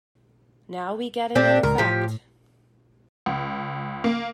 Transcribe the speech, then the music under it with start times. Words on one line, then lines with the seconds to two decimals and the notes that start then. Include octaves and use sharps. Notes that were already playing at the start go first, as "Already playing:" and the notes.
Now we get another fact.
1.35 A#2 C4 D4 G4
1.63 C#2 A2 A#4
1.78 A2 F3 G4
3.26 C#2
4.04 A#3